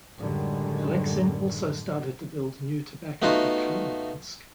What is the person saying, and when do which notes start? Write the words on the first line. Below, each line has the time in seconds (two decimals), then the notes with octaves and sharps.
Aleksin also started to build new tobacco factory in Minsk.
0.20 F#2 A2 D3 D#3 G3 G#3
3.22 A3 B3 D#4 F4 F#4